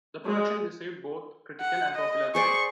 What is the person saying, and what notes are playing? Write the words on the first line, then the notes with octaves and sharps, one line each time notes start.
The production received both critical and popular acclaim.
G#3
F#5
D#5
G#4 C5 D5 C#6